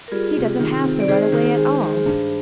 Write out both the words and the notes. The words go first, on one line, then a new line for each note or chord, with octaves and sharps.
He doesn't have to run away at all!
A#4
G3 F4 G#4
C3
D#3
C4
D5
D#3 G#4 C5
D#3
G#3
G#3
G2